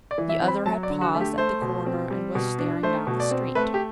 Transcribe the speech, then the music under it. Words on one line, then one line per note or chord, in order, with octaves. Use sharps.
The other had paused at the corner and was staring down the street.
D5
E3
E5
C4
B5
F#3 A5
D5
D3
F#4
A3
G4
A3 C5
B2
C4
G3
B2
D4
A3 C5
B2
D5
C4
A3 B4
G4